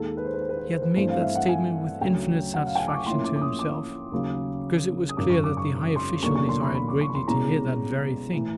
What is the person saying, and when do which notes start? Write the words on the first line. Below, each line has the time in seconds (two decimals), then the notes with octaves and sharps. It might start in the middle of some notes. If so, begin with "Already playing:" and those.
He had made that statement with infinite satisfaction to himself, because it was clear that the high official desired greatly to hear that very thing.
Already playing: D#2 D#3 G#3 A4
0.17 B4
0.25 C5
0.33 B4
0.41 C5
0.49 B4
0.57 C5
0.65 B4
0.74 C5
0.82 B4
0.96 G2 E3 A3 C4 C5
1.09 F5
1.22 E5
1.35 F#5
1.49 G#5
2.01 D2 C#3 F#3 G5
2.54 F#5
2.67 F5
2.75 G5
2.80 G#5
2.88 D6
2.94 C#6
3.06 A2 F3 A#3 C#4 E4 C6
3.24 D6
3.36 D6
3.41 D#6
3.59 D6
4.12 D#2 C#3 F#3
5.09 D#6
5.17 G#1 F#2 C#3 D6
5.30 C#6
5.44 D6
5.57 C#6
5.96 C6
6.23 E1 D#2 D3 F#3 A#3 C#6
6.35 C#6
6.49 C6
6.62 B5
6.75 B5
6.88 D6
7.01 C#6
7.10 B5
7.15 C6
7.27 C2 B2 G#3 C#4 A#5
8.33 A2 E3